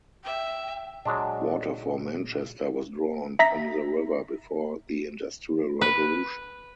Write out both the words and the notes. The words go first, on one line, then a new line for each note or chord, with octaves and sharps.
Water for Manchester was drawn from the river before the Industrial Revolution.
E5 G5
A#2 F#3 G#3 D4
E5 A#5 A#6 B6
B4